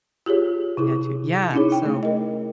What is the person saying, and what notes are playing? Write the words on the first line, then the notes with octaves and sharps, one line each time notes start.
Yeah to Yeah. So
F4 G4 G#4 C#5
C3 E4 G#4
C#4 D#4 E4 G#4 C#5
G5
A3
A#4 D#5